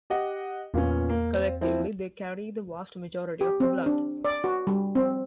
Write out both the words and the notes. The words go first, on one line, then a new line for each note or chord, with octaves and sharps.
Collectively, they carry the vast majority of the blood.
G4 D#5 F#5
E2 A#2 B3 C#4 F5
A#3
C4
F3 C4 E4
G4
C4
D4
D5
F#4
G3
C4